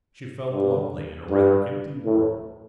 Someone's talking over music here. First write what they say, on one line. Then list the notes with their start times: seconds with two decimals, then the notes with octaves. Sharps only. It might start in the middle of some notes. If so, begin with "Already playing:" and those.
She felt lonely in a rather empty world.
0.52 G2
1.29 G2
2.06 A2